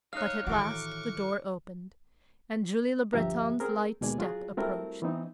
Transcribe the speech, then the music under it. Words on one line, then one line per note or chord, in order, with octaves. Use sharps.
But at last the door opened and Julie Le Breton's light step approached.
D#4 C#5 F5 F6 F#6
A2 D#3 E3 F#3 C#6 D6
D2 G2 F3 G4 E5 A#5
C4 G#4 A#4
D#2 B2 D#3 G#3 D5 G#5
F#3 F4 F#4 G#4
G3 A3 C4 E4 F#4 A#4
E3 B3 C4 D#4